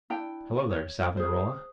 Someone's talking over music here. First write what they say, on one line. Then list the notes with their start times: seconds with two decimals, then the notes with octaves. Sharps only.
"Hello there, Savonarola."
0.10 D4 E4 G5
0.71 C#5
1.17 G#4 C5